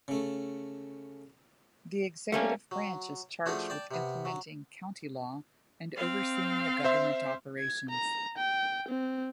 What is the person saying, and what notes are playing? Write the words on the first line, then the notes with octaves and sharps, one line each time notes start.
The executive branch is charged with implementing County law and overseeing the government operations.
C#3 A3
G3 A3 A#3 C#4
F#3
F3 A3 C#4 D4 F#4 G#4
D5 G5 A5
C3 B3
F#3
C4 F5
C5 E5 C6
G#6
A#5
G5
C4